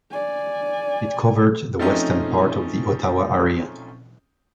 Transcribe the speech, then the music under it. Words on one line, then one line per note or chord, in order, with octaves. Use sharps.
It covered the western part of the Ottawa area.
D5 G#5
F3 A3 C4 C#4 D#4